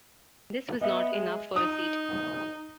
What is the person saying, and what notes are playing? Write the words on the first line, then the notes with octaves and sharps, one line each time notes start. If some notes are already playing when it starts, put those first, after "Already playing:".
This was not enough for a seat.
B3 D#5 E5
G#3
D#4 D#6